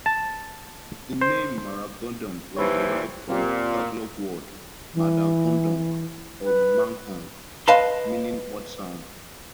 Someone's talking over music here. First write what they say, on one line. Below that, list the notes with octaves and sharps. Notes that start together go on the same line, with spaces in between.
The name Maragondon was derived from Tagalog word madagundong or maugong, meaning much sound.
A5
C5
D#2 E3 C4 G4 B4 C#5
A#2 C4 F4 G4
E3
B4
B4 D#5 F5 A5 B5 C6